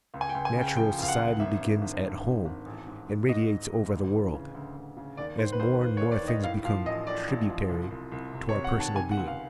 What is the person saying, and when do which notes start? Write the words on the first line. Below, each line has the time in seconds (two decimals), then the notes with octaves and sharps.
Natural society begins at home and radiates over the world, as more and more things become tributary to our personal being.
0.14 C#2
0.21 G#5
0.29 G5
0.35 C#2
0.45 G#5
0.56 C#3
0.61 G5
0.77 F3 G5
0.98 C#2 F5
1.08 F#5
1.19 C#2
1.40 G#1 E5
1.61 G2
1.82 G#1
2.03 G2
2.24 G#1
2.45 G#1
2.66 A1
2.87 G#2
3.07 G#2
3.28 G#2 D#5
3.50 G#2
3.71 A1
3.92 D2
4.13 E3
4.34 C#3
4.55 D2
4.76 D2
4.97 C#3
5.17 D#2 D5
5.38 D#3 C5
5.52 B4
5.60 D#2 C5
5.81 D#2 B4
5.97 C#5
6.01 D#2
6.12 D5
6.23 D#3 D#5
6.44 A2 F5
6.65 F3 F5
6.86 A1 D#5
7.07 A2 D5
7.28 A1
7.49 F3
7.69 C2
7.91 C2
8.12 C2
8.33 C3
8.49 C#5
8.54 C3
8.64 F#5
8.75 D#3
8.80 A5
8.96 C3 G#5
9.11 F#5
9.17 C#2
9.27 F5